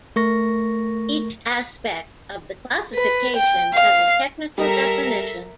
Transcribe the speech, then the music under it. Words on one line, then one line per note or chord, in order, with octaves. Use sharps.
Each aspect of the classification has a technical definition.
A3 A#4 C#6 A#6
B4
G5
F5
G3 A4 A#4 E5 A#5